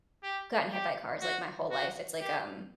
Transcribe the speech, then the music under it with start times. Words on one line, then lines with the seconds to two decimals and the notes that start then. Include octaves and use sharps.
gotten hit by, uh, cars, like, my whole life. It’s like, um
0.23 G4
0.72 G4
1.22 F#4
1.71 F#4
2.20 G4